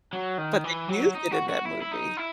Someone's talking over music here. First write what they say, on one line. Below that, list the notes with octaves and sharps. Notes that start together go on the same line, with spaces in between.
But they used it in that movie?
F#3
D#3
E3
F#3
D#4
F#4
F#4
E4
E4
D#4
E4